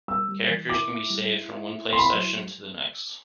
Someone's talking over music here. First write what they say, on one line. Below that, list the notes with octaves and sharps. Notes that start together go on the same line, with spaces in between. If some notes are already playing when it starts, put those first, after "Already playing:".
Characters can be saved from one play session to the next.
G3 E6
G3
E3
E4 D6
E4
G3
E4
E4
E4
E4 C6
B5
C6
F#3